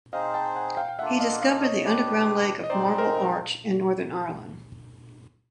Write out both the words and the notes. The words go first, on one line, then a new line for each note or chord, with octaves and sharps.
He discovered the underground lake of Marble Arch in Northern Ireland.
C4 D#4 G#4 C5 D#5 F5
G5 A5
F#5 G#5
F5 G5
G5
A#3 D4 F4 A4 E5 F#5
D#5 F5
F#5
D#5 F5
C#5 D#5
D4 G4 B4
D#5
G#3 C4 D#4 C5 D5
A#4 C5